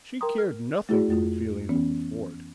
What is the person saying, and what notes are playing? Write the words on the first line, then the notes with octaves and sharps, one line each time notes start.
She cared nothing for the feelings of a ford.
A#4 G5 A#5 C6 D#6
F6
A3 E4 F#4 G#4 D5
F2 A3 F4
E3 B3 C#4